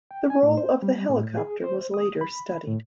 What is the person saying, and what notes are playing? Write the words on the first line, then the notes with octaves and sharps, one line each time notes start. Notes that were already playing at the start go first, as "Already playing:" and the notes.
The role of the helicopter was later studied.
G5
G#5
A2
C5
G3
A2
G#4
C5
D#6
B5
A2